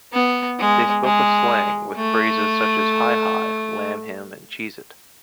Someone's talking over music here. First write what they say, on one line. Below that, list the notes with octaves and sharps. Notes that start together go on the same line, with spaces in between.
They spoke a slang, with phrases such as "hi-hi", "lam him", and "cheese it".
B3
G#3
G#3
A3